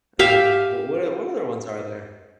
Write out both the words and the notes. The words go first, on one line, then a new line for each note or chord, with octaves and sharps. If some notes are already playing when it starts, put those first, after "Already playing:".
uh, w what o what other ones are there?
G4 E5 F5